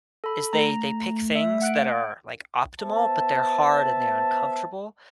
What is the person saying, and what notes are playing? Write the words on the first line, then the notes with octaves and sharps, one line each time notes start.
is they they pick things that are, like, optimal, but they're hard and they're uncomfortable,
A4 B5
A3 A#5
E5
F#5 F#6 D7
B3 C5 E5 A5